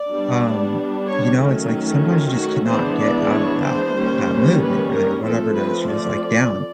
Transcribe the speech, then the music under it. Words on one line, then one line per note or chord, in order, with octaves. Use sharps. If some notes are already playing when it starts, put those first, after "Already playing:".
um, you know, it's, like, sometimes you just cannot get out of that that mood that you're in, or whatever it is, you're just, like, down,
Already playing: D5
G3 B3 D4
C#5
D#3 F#3 A3 C#4
F4
F#4
E3 G#3 B3 D4 C5
D5
C#5
C5
D#3 G3 A#3 C#4
B4
A#4
F3 A3 C4 A4
B4
D5